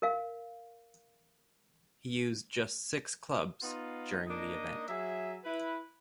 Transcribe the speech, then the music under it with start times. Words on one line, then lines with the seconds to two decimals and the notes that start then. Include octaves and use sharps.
He used just six clubs during the event.
0.02 A#4 F5
3.62 B3 D#4 F4
4.27 A#3 D4 D#4 D#5
4.88 F#3 G#4 E5
5.44 E4 B4